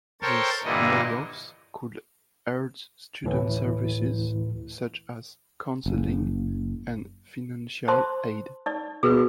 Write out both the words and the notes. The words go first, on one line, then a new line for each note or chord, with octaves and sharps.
These layoffs could hurt student services such as counseling and financial aid.
A4 A#4 C5 C#5 G5 A5
G2 A#2 D3 E3 D#5
D2 A2 E3
F#1
C5 A5 C6
D#4 D5
B2 G#4 A#4 B4